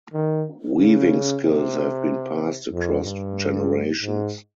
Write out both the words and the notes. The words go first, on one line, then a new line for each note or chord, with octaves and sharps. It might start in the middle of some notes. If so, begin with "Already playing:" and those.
Weaving skills have been passed across generations.
D#3
C#3
C3
F2
G2
G#2